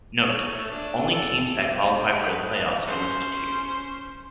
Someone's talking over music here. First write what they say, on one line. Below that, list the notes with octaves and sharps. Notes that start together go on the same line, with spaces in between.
Note: Only teams that qualified for the playoffs are listed here.
C#5
A3
D4
A4
G4 C5
A4 B4 F#5 D#6
C#4 C5